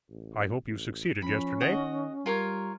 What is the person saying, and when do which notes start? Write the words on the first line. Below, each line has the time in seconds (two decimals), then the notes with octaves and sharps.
I hope you succeeded yesterday.
0.10 A1
0.68 A1
1.22 F3 C#4 B5
1.61 D#3 F#4 D#5
2.26 G3 F4 A#4 C#5